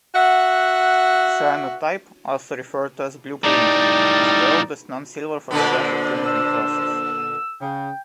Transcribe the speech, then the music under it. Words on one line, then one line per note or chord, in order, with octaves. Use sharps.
Cyanotype, also referred to as "blueprinting", is the oldest non-silver photographic printing process.
F#4 E5 F#5
A2 G3 D#4 D5
A#2 D3 B3 D4 C5
E6
C#3 G5